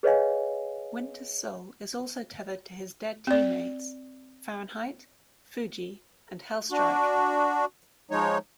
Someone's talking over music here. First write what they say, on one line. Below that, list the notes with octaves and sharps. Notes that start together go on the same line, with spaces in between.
Winter's soul is also tethered to his dead teammates; Fahrenheit, Fuji, and Hellstrike.
G#4 B4 C#5 D#5 F5 G#5
C4 D5
D4 F#4
F3 G#3 D#4 C#5